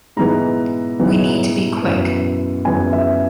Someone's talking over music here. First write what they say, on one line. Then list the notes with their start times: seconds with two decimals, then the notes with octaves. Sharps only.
We need to be quick.
0.17 G#2 E3 B3 A#5
1.00 G#2 E3 B3
1.82 F#2 E3 B3
2.65 F#2 E3 B3 G#5
2.93 E5